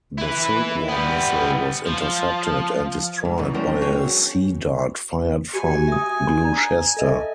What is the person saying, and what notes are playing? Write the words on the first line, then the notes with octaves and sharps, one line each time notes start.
The Silkworm missile was intercepted and destroyed by a Sea Dart fired from "Gloucester".
E4 B4
G3 B3
F3
G#2
F#2 B2 E3
G#3 C#4 D4 A#4 C5 G5
F#4 G#4 C#5 G5
F#4 G4 G#5
E5 D#6
D4 D5 A#5
A4 D#5 E5